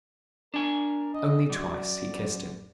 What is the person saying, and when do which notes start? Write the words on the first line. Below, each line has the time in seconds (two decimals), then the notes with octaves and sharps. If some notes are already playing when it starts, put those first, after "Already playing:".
Only twice he kissed him.
0.54 D4 A#4 G#5
1.14 D#5
1.50 F#2 D5